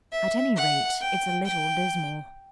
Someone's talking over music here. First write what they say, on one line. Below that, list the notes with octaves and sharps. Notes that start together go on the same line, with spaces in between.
At any rate it's a little dismal.
E5
F#5
G5
G5